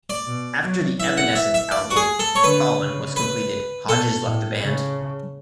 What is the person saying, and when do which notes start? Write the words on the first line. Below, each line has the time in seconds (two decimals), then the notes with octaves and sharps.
After the Evanescence album "Fallen" was completed, Hodges left the band.
0.10 D5
0.27 B2
0.63 F#3
0.99 E3 E5
1.17 F#5
1.35 E5
1.54 E5
1.71 D5
1.91 F#4
1.96 G#4
2.19 A4
2.35 C#5
2.44 D3 B4
2.80 C#3
3.16 B4
3.89 B2 A4
4.25 A2
4.61 C#3